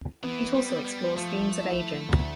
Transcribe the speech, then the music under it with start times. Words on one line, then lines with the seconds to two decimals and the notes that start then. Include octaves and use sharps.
It also explores themes of aging.
0.23 E3 B3
0.54 G3
0.70 B3
0.85 G3
1.16 F3 A3
1.63 E4
2.09 D2